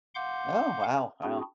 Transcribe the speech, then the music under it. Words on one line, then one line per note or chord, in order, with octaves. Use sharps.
Oh, wow, wow.
F5 F#5 C6 D6 G6
C4 D4 E4 F#4 G#4